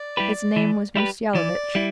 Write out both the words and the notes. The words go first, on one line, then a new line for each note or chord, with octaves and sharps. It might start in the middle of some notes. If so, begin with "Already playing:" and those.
His name was Mussyalovitch.
Already playing: D5
G3 E4 G4 B4
E3
G3 E4 G4 B4
E3 D5
G3 E4